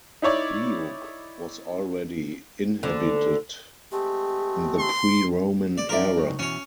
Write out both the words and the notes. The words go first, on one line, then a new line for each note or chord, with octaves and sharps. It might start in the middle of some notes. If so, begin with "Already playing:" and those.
Leuk was already inhabited in the pre-Roman era.
D#4 E4 C#5 D5
D2 D3
G#3 A3 C4 G4
C6
D5
F3 D#4 A#4 D5 E5
F#3 D#4 C#5
B2 E3 C#4 C#5